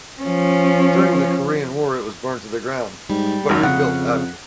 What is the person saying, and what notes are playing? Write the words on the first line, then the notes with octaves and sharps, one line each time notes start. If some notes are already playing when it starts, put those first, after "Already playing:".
During the Korean War it was burnt to the ground, but rebuilt after.
F3 C#4
G#2 G3
G#1 F#2 D#3
F2 C#3 F#5